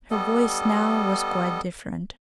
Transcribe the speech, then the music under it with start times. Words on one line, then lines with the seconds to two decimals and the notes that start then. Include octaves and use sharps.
Her voice now was quite different.
0.11 G3 B3 A4 D#5